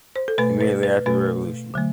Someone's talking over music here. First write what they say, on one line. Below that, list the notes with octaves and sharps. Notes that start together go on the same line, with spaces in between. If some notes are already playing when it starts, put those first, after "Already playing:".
Immediately after the Revolution.
C5
A4
B2 A3 B4
B4
B4
B2 A3 B4
D3 F#3 A3